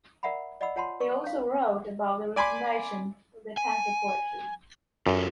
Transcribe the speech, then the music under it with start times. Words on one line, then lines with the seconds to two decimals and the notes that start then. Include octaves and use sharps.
They also wrote about the reformation of tanka poetry.
0.23 A#4 D5 E5 F#5 A#5 B5
0.61 D5 D#5 F#5 B5 E6
0.76 F4 C#5 F#5 A5 B5 C6
1.00 A#4 D5 C#6
1.24 C#4 E4 F5
2.36 D5 G#5 B5 C6 D6
3.57 G#5
5.07 F#2 F4 G4 A4